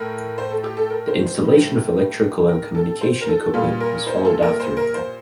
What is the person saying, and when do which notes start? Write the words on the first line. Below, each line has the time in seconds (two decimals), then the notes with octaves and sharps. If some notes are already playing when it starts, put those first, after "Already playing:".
The installation of electrical and communication equipment was followed after.
Already playing: A2 A#4
0.38 C5
0.51 A4
0.63 G4
0.77 A4
0.90 A#4
1.08 C5
1.25 C5
1.43 A2 G3
2.49 A#4
2.75 A4
3.01 C5
3.21 A#4
3.28 A4
3.54 A#2 G3 F4
3.80 A#4
4.07 C5
4.25 A4
4.42 A#4
4.60 C5
4.77 A#4
4.94 C5